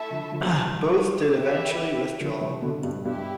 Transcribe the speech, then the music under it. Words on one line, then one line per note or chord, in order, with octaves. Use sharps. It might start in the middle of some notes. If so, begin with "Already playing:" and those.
Both did eventually withdraw.
Already playing: A3 E4 A4 E5 A5
D3 F3
D3 F3
E3 G3
E4 G4 B4 E5
D3 F3
C3 E3
B2 D3
G2 B2
G2 B2 E4 G4